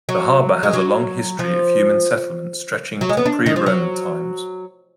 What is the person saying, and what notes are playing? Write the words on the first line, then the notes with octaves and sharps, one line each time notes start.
The harbour has a long history of human settlement stretching to pre-Roman times.
F#3
G#3
F#3
F3
F#3
G#3
B3
D4
D#3
F3
F#3